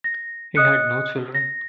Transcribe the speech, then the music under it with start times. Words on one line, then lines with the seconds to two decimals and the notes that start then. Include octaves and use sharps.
He had no children.
0.04 A#6
0.56 D#5 D#6 F#6 C#7
1.35 A#6